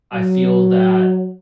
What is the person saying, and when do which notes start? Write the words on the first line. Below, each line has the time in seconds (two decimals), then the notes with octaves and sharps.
I feel that
0.14 F#3